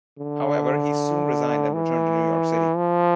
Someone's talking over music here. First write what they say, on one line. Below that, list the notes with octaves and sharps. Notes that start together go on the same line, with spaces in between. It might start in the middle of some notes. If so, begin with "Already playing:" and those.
However, he soon resigned and returned to New York City.
D3
E3
F3